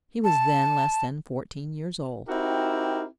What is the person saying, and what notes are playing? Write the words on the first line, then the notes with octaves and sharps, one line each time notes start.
He was then less than fourteen years old.
A5
C4 D#4 E4 F#4 G4 A#4